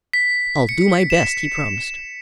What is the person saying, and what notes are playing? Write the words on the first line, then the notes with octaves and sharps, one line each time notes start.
"I'll do my best," he promised.
B6
C#7
E7